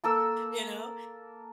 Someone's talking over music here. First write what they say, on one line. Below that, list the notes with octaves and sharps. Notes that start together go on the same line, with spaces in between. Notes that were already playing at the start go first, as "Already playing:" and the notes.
you know,
A#3 A4 A#4 E6